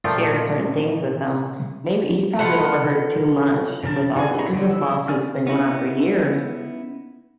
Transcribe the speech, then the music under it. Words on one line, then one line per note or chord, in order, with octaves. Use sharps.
share certain things with him. Maybe he's probably overheard too much with all the ‘cause this lawsuit's been going on for years.
A#2 F3 A3 F4 G5
F4 A4 B4 F#5
C#3 F3 A#4 A5
E3 D#4 F#4 G#4 G#5
E3 D#5 A#5 B5 C#6
D3 F#3 G3
E4 E6
F#3 G#4 D5 G#5 F6
B3 C#4 D#4 E4